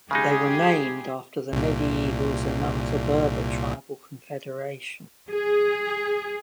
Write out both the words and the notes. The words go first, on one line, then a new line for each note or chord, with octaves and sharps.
They were named after the medieval Zenata Berber tribal confederation.
C#3 G#3 D#4 G4 G#4
C2 A#2
G#4